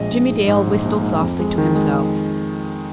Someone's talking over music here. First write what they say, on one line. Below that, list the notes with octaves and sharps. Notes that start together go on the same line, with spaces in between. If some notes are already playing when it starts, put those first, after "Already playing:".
Jimmie Dale whistled softly to himself.
Already playing: A#1 G#3 D#5
A#1
G#2
G#2
A#1
A#1
G#2
F2
G#3
D#3
G#3